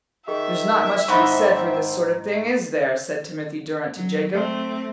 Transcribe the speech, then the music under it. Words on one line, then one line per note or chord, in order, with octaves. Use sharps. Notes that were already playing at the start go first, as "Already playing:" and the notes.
"There's not much to be said for this sort of thing, is there?" said Timothy Durrant to Jacob.
D#3 G#4 E5
G#2 C4 D#4 D#5 B5 C#6
F#3
A3 C4